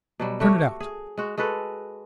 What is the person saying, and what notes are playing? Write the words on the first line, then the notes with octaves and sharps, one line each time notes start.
"Turn it out!"
B2 F#3 G3
A3 F#4 G4 C#5
G#4
G#3 F#4
G#3 F#4 A4 B4